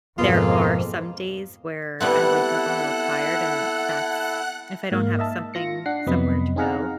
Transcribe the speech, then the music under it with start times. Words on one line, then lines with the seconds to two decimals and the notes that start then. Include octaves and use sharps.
There are some days where I wake up a little tired, and that's if I don't have something somewhere to go.
0.18 F2 G#2 B2 G#3 A#3 F4
2.00 G3 B3 C4 E4 A4 F#5 F#6
4.92 G#2 A#3 F5
5.19 D#5 E5 A5
5.54 F4 A#6 C#7
5.86 D4 F#5 C7
6.06 F2 C3 F#3 B3 D#5 B5
6.56 C4 D#4 G#4 F5 F#5 A#5